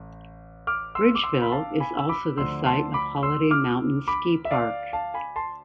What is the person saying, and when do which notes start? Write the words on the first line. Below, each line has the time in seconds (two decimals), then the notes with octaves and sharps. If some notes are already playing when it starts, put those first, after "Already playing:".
Bridgeville is also the site of Holiday Mountain Ski Park.
Already playing: A1
0.67 D6 F6
0.95 C6 E6
1.15 D6
1.23 C6 E6
1.42 B5
1.52 F5 A5
1.80 G#5 B5
1.97 E6
2.09 B5 D6
2.37 D2 D3 F3 C6 E6
2.66 A5 C6
2.94 B5 D6
3.23 C6 E6
3.51 D6 F6
4.08 B5 D6
4.45 E5
4.51 D5 F5
4.93 F5 A5
5.14 G#5 B5
5.36 A5 C6